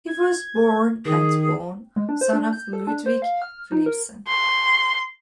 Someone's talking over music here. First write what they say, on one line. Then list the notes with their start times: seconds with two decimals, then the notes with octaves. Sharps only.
He was born at Bonn, son of Ludwig Philippson.
0.07 G#6
1.05 D#3 G#4
1.96 G#3
2.09 D4
2.21 C5
2.33 D4
2.53 G6
2.73 A4
2.87 D4
3.06 C5
3.22 F5
3.42 F6
3.72 D#4
3.86 A#4
4.28 C6